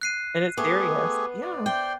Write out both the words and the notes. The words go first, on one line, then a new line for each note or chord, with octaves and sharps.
And it's serious Yeah.
F#6 C7 D#7
A3 B3 G4 G#4
D5
C5 D5 G5 C6